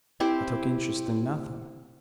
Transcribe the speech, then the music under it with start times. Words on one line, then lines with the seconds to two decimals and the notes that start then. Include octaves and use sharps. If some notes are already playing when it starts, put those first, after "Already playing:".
I took interest in nothing.
0.20 C4 E4 G4 C5